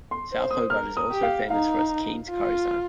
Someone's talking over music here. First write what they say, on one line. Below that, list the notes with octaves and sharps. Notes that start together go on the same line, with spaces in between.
South Hobart is also famous for its Keen's Curry sign.
C6
C5
D#6
A#4 F6
D#6
G4
F5
D#4 F5
F4